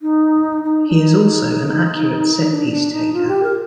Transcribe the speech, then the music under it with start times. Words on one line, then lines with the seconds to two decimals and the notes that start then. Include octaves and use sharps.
He is also an accurate set-piece taker.
0.02 D#4
0.64 D#4
0.88 D4
0.94 D#4
2.51 D4
2.71 D4
2.92 D#4
3.13 F4
3.28 G4
3.43 A#4